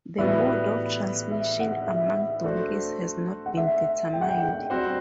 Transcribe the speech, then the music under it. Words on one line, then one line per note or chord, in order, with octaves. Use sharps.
The mode of transmission among donkeys has not been determined.
A2 E3 G3 B3 F#4 E5
E5
F#5
E5
A3 D4 F#4 C5
F#5
E5
G5
F#5
G5
G3 C4 F#4 C5